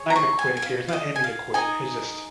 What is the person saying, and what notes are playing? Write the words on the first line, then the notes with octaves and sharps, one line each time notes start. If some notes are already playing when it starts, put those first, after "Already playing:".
I'm not gonna quit it here, it's not in me to quit it, it's just,
Already playing: G#4 C#5
A#5
C#6
G#5
G#5
F5
F5
D#5
G#5
F5
D#4 G#4 D#5 G#5